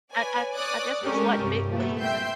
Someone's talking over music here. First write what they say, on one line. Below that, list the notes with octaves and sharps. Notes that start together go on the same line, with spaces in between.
I I I guess 'cause, like, big leaves and
B4 C#5 D5 G#5
C#5 D5 D6 D#6 F#6
G#3 C#4 G4 A4 A#4
C2 G2
A#2 A3 B3
E5 G5 C6 G6